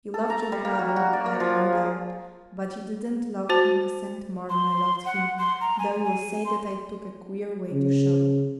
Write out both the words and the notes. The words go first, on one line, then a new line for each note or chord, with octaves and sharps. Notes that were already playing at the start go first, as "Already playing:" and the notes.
You loved your brother, I've no doubt; but you didn't love him a cent more than I loved him, though you'll say that I took a queer way to show it.
A4
A#5
G3
A#3
F#4
F#4
D5
A#3
F3
G#4
F#4 C5 A5
C6
F#5
C6
A#5
G#5
G#5
C6
C#3